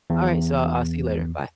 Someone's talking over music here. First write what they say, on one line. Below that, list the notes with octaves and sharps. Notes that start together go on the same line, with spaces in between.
all right, so I'll see you later, bye.
E2